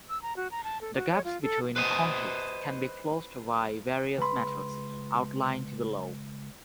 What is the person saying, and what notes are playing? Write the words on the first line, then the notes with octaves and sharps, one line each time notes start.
The gaps between contigs can be closed by various methods outlined below.
E6
A#5
F#4
A#5
A5
A4
F#4
C#5
F4
A4
B4 C5 D#5
C#2 B4 B5 C6